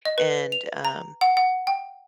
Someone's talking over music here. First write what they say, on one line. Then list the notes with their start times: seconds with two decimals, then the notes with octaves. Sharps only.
and, um,
0.05 D#5
0.18 B4
0.52 F7
0.85 A#5
1.21 F#5
1.37 F#5
1.67 G5